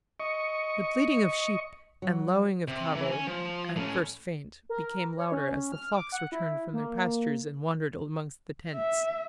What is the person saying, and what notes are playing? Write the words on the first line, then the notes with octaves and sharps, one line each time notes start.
The bleating of sheep and lowing of cattle, at first faint, became louder as the flocks returned from their pastures and wandered amongst the tents.
D#5 C#6
F#3
C3
E3
C#4 G#5
F3
A2 C#4
A#4
C#5
C#4
F6
D6
F#5
E4
A#3
E5